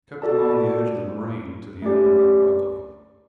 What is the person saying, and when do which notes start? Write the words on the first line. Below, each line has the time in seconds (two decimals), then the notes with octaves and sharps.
Kept along the edge of moraine to the end of Mt. Buckley.
0.22 F#4 A4 D5 A5
1.82 A3 C#4 G4 D5